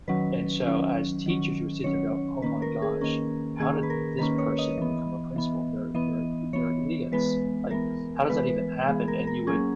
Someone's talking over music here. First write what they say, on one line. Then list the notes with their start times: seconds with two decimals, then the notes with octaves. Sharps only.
And so as teachers you would sit there and go, "Oh my gosh, how did this person become a principal? They're they're they're idiots. Like, how does that even happen?" And you would
0.08 D#3 F#3 C#4 B4
0.67 D#3 F#3 C#4
1.26 D#3 F#3 C#4
1.84 D#3 F#3 C#4 C#5
2.42 D#3 A#3 C#4 B4
2.62 A#4
2.82 G#4
3.01 D#3 A#3 C#4 A#4
3.60 D#3 A#3 C#4 G#4
3.83 B4
3.90 A#4
4.19 D#3 A#3 C#4 B4
4.38 C#5
4.59 D#5
4.77 E3 B3
5.36 E3 B3
5.94 E3 B3 D#5
6.53 E3 B3 C#5
7.12 E3 G#3 B3 B4
7.71 E3 G#3 B3 A#4
8.29 E3 G#3 B3 B4
8.48 B4
8.88 E3 G#3 B3 G#4
9.08 A#4
9.27 A#4
9.47 F#3 A#3 C#4 G#4